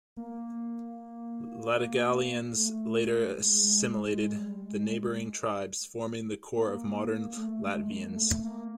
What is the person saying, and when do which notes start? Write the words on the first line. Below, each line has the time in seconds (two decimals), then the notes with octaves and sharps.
Latgalians later assimilated the neighbouring tribes, forming the core of modern Latvians.
0.17 A#3
2.56 A3
3.37 G#3
3.63 G#3
3.90 G#3
4.17 G#3
4.36 G3
4.57 G#3
4.76 G#3
6.57 A#3
7.36 A3
7.63 G#3
7.89 A#3
8.15 A3
8.43 A#3